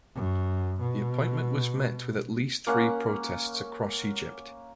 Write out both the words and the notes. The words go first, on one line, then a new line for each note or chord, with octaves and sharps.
The appointment was met with at least three protests across Egypt.
F#2
B2
A#3 C#4 F#5